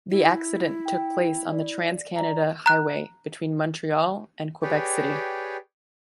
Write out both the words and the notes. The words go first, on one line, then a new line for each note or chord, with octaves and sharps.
The accident took place on the Trans-Canada Highway between Montreal and Quebec City.
E4
G5
D5
D5 A#5
A#5 F#6
G4 G#4 B4 C#5 D5 G5